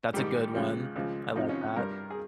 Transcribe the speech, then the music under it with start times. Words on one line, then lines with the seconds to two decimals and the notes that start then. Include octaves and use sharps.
That's a good one. I like that.
0.13 G#2 D#3 G3 G4
0.55 C#2 C#3 F3
0.96 C#2 C#3 F3
1.36 F2 C3 F3 D#4
1.49 C#4
1.76 G2 G3 A#4
2.10 G#4